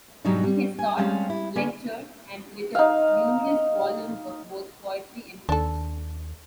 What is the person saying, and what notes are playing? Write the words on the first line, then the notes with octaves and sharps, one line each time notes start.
He has taught, lectured and written numerous volumes of both poetry and prose.
G#2 B2 F#3 G3 D4 D#4
G3
G#5
G3 G#3 C4 C#4 F5 A5
E4
D3 A#3 B3 C#4
D#4 F5
D#2 D4 A4